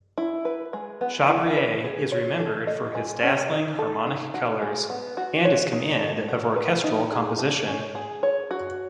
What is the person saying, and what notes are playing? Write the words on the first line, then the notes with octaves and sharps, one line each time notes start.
Chabrier is remembered for his dazzling harmonic colors and his command of orchestral composition.
E4
B4
G#3
B3
E4
B4
G#4
C#5
A4
D#5
G#3
C#4
D#4
A4
D#4
F#4
G#3
B3
F#4
C#5
D#4
A4
F#4
B4
D#4
G#4
A3
C#4
G#4
C#5
F#4